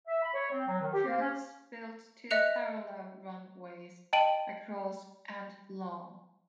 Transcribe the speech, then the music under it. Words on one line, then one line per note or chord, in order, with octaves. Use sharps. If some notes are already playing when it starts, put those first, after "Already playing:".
Crews built two parallel runways, across and long.
E5
B5
C#5
C4
F#3
D#3
G4
A#3
C#4
D#5 E5 F#6 C#7 F7
D#5 G5 A5 D7 D#7 F#7